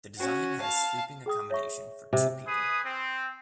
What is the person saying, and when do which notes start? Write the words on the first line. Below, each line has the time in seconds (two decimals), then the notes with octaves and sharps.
The design has sleeping accommodation for two people.
0.17 C#4 F#4
0.60 F5 A5
1.26 G#4 G5 D#6
1.51 C#5 E5 C#6
2.13 C3
2.46 G#4 B4 D#6
2.84 C4